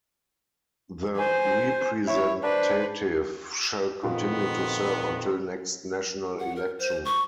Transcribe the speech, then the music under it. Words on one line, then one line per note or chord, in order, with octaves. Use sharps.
The representative shall continue to serve until next national election.
C5 G#5
E4 C#5
D4 B4 C5
F2 A#2 D#3 B3 F4
F#5
A#4
C5
C#6